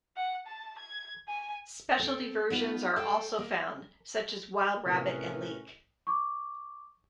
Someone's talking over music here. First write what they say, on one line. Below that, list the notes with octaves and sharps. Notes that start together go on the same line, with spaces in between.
Specialty versions are also found, such as wild rabbit and leek.
F#5
A5
G#6
G#5
C4 A4
B3 D#4 F4 B4
A4 C5 G5
A#3
A2 C3 C#4 G#4 A#4 B4
C#6 D6